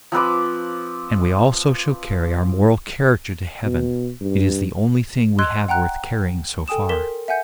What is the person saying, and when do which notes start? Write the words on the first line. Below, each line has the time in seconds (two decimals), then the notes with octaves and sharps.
And we also shall carry our moral character to heaven; it is the only thing we have worth carrying so far.
0.12 F3 C4 B4 D6
3.64 B2
4.21 G2
5.39 D#5 C6 E6 F#6 G#6
5.68 F#5 G5 A#5 F#6
6.68 A4 G5 G#5 D#6 E7
6.89 A#4 C6 B6 E7 G7
7.28 E5 F#5 G#5 G6 C#7